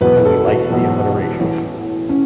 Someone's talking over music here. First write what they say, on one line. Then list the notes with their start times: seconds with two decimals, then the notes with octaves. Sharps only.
We liked the alliteration.
0.01 E1 E2 B2 F#3 B4
0.25 A4
0.47 F#4
0.70 E1 E2 B2 F#3
1.40 A1 A2 E3 C#4
2.09 A2 C#4